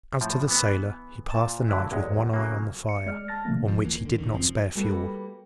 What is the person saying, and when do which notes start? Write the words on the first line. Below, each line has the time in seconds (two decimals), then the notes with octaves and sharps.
As to the sailor, he passed the night with one eye on the fire, on which he did not spare fuel.
0.21 A2 F3
0.48 E3 B3
1.30 A#2 A5
1.68 G2 D3 F#3 E4
1.91 A1 E2 G#3
2.34 C#3 F#3 A#3
2.89 C#7
3.06 G#3 D5 F6
3.28 A5 F6 A6 A#6
3.45 B2 D3 F3 A3 A#3
3.68 D1 F3
3.83 D1 E3 A#3
4.05 D3
4.18 D1 D#2 D#3
4.33 F#1 F#2 F3 C4
4.75 G3 A#3 F#4 G4 A4 B4